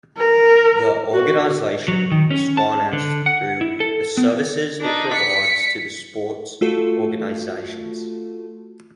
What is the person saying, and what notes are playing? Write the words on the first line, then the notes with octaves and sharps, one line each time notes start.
The organisation is financed through the services it provides to the sport organisations.
A#4
F#4
F#3
D#3
C#4
A5
D3
F#5
E4
A4
B3
D4 D#4
B6 C#7
A3 F4 F#4 A4